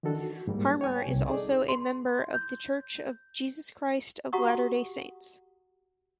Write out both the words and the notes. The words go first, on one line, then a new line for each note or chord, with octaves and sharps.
Harmer is also a member of The Church of Jesus Christ of Latter-day Saints.
D#3 E3 D4 F#4 A4
F#4
G#2 G3 A#3
C#5 G5 G#5
C2 C3
D#4 G#4 A4 D5
C6
G6
F#4 G4 F#5 A#5 C#6 D#6